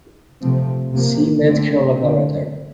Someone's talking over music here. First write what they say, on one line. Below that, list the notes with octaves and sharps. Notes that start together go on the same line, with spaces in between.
See Medical laboratory.
C3 F3 A3 C4
C3 F3 A#3
D3 A3 C4
D3 A3 C4